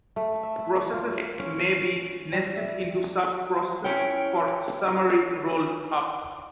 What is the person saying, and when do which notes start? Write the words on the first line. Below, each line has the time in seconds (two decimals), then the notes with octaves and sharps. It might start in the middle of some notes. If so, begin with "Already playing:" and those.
Processes may be nested into sub-processes for summary roll-up.
0.16 A3
0.43 E5
0.58 E4
0.94 F4
1.39 C#4
2.32 G3
2.57 E5
3.84 C#4 E4 C#5 G5